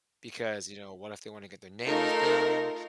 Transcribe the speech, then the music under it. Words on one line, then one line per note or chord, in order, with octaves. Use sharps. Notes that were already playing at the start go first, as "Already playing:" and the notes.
because, you know, what if they wanna get their nails done?
A3 D#4 F4 A#4